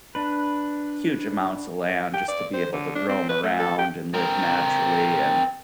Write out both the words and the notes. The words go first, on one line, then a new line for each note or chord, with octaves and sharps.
huge amounts of land just to be able to roam around and live naturally, and
D4 B4
G5
D5
C5
D3
D4
C4
B4
A3
A4
G5
C4 A#4